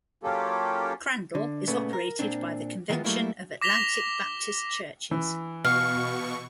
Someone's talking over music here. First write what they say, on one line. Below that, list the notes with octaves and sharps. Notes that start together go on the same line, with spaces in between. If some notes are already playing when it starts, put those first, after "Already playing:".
Crandall is operated by the Convention of Atlantic Baptist Churches.
F#3 A#3 C#4 F4 G4 A4
D3
A#2 C#3 A3 B3
A#4
A#2 C4 D4
D#3 E3 G#3 B3 F4
F#3 G3 A3 A#3 E4
D6 A#6 B6 F7 G7
E3
B2 F5 C#6